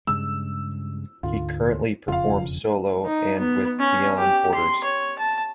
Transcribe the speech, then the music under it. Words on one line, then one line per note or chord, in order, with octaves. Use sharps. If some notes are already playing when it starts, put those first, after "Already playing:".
He currently performs solo and with Beyond Borders.
G2 C#3 G#3 E6
D2 G#2 D3 F4
E1 F2 C#3 F4 F5
D#4
B3
C#4
G4
C6
C#5
A5